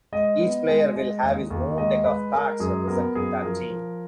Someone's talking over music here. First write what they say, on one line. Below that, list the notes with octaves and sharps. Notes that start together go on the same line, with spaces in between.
Each player will have his own deck of cards representing that team.
G#3 D#5
B3
G#3
G#3
D#2
D#2
G#3 D#5
G#3 B4
G#3 A#4
F#2 G#4
B3 A#4
F#2 G#4
F3 A#4
F3